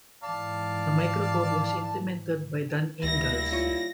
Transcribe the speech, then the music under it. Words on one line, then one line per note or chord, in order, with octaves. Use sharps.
The microcode was implemented by Dan Ingalls.
G#2 E3 D5 F5 A5
D2 G3 A#3 E4 A#6
F4 C#5